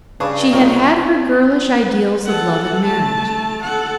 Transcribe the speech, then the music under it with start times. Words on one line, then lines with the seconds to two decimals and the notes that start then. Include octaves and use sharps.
She had had her girlish ideals of love and marriage.
0.20 G2 C#3 D4 G#4 B4 A5 C#6 D6
0.53 C#2 C3 C#4 D#4 A#4 C#5
1.26 C#4
1.78 B4
2.26 A4 F#5
2.85 A3 A5
3.64 A4 F#5